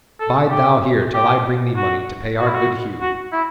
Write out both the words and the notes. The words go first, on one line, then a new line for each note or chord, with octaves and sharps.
Bide thou here till I bring thee money to pay our good Hugh.
A4
G4
G4
F#4
F#4
E4
F#4
F#4
E4